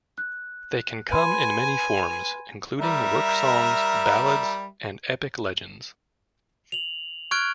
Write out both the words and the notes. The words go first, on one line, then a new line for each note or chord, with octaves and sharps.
They can come in many forms, including work songs, ballads and epic legends.
F#6
B4 G#5 B5 C6
G3 A#4 E5
F7 F#7
C#6 F6 F#6 G#6 D7